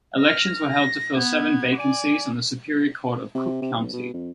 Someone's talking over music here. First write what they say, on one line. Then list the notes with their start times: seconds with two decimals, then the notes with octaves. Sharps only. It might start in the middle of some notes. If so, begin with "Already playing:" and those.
Elections were held to fill seven vacancies on the Superior Court of Cook County.
0.19 F6 A#6
0.70 A#6
1.13 B3 G#6
1.76 D5 G#5
3.35 C3
3.62 C3
3.77 B1
3.93 B2
4.13 F2